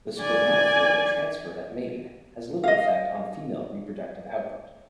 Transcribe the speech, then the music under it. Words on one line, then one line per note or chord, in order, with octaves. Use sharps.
The spermatophore transferred at mating has little effect on female reproductive output.
D5 G#5
D#5 F5